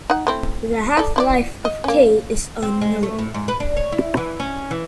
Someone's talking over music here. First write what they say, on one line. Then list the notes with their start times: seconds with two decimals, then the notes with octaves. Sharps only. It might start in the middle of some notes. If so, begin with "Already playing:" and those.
The half-life of K is unknown.
0.10 D#4 F#5
0.27 A3 C4 E4
0.97 A4 D5
1.16 E4 C5 D5
1.65 D#5
1.84 A#3 C#4
2.63 C4
2.81 G#3
3.03 A3
3.19 A2
3.34 G#2
3.48 B4
3.60 D4
3.77 C#5
3.92 E4
4.17 E3
4.40 C#4
4.71 E3